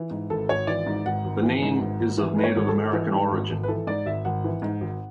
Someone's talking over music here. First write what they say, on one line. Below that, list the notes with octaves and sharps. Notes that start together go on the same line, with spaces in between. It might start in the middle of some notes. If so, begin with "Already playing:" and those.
The name is of Native American origin.
Already playing: E3
G#2
G#1 A4
G#1 C#5
E3 D5
G#2
G#1 F#5
G#1
E3
G#2
G#1
G#1
E3
G#2 B4
C#5
G#1
A4
G#1
E3
G#2
G#1
G#1
B4
E3 A4
G#2 D5
G#1 E5
G#1 F#5
E3
G#2
G#1